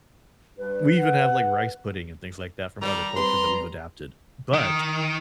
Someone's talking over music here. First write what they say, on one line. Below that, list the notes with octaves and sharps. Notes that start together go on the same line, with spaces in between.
We even have, like, rice pudding and things like that from other cultures that we've adapted, but,
G2 B4
F#5
D#3 G3 A#5
G3 C4 B4 C6
D#3